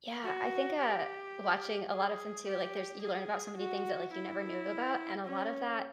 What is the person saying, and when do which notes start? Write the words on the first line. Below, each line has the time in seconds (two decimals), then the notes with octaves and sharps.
Yeah, I think, uh, watching a lot of them too, like, there's you learn about so many things that, like, you never knew about, and a lot of that
0.23 F#4
0.79 G4
1.90 G#4
2.46 G4
3.01 G#4
3.57 F#4
4.13 E4
5.24 C#4